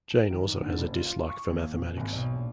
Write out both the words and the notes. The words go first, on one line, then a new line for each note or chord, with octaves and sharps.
Jane also has a dislike for mathematics.
D7
D#3
D3
F#1
F4
F4
C#6
D#2
D#1
G#1
B1
A#1